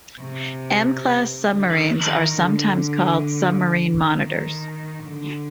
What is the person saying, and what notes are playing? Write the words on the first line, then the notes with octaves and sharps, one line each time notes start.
M-class submarines are sometimes called submarine monitors.
C3
D3
D#3
D3
D#3
D3